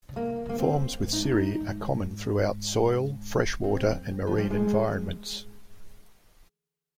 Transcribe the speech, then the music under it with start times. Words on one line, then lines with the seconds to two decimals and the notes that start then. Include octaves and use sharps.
Forms with cirri are common throughout soil, freshwater, and marine environments.
0.09 D3
0.16 D#3 A#3
0.46 D3 A#3
0.59 C4
1.02 G#2
1.13 D#4
1.22 D4
1.32 G2 D#4
1.61 G#2
3.63 G2 C4
3.92 F2
4.21 G2
4.27 F3
4.38 G3
4.50 G2 G#3